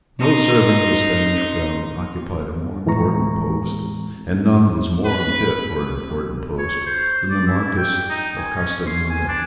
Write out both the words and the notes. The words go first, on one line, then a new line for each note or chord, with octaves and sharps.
No servant of the Spanish Crown occupied a more important post, and none was more unfit for an important post, than the Marquess of Gastanaga.
D#4 C6
A2 E3 G#3 C4 A#5 C#6
B4
C#5
C5
D5
E4
G5
D#4
G#5
C#4
C6
G#5
D4